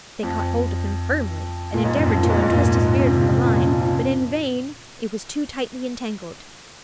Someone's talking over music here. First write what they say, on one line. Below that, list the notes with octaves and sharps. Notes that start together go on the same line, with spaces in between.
They caught hold of him firmly, and endeavoured to untwist his beard from the line, but in vain; it was too tightly entangled.
F2
A#2
G#2
F#2
F2
A#2
G#2
G#2
A#2
A#2
G#2
C3
C#3
C3
F3
A#2
C#3
F3